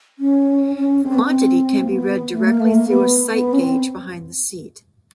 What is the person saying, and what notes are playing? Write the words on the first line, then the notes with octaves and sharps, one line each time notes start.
The quantity can be read directly through a sight gauge behind the seat.
C#4
C#4
C4
B3
C4
A#3
B3
A3
A#3
A3
A#3
B3
B3
C#4
C4